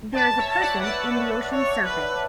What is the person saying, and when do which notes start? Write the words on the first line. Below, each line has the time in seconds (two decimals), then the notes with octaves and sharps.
There is a person in the ocean surfing.
0.15 B4 D5 A5
0.38 C#5 E5
0.49 A5
0.60 D5 F#5
0.83 B4 F#5 A5
1.51 C#5
1.86 B4